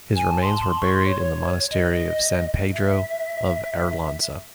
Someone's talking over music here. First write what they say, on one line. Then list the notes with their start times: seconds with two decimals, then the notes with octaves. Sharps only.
His remains were buried in the monastery of San Pedro of Arlanza.
0.16 G#5
0.29 A5
0.42 C6
0.54 A5
0.68 C6
0.80 C#6
0.93 C6
1.06 C#5
1.19 C#5
1.71 D#5
2.73 E5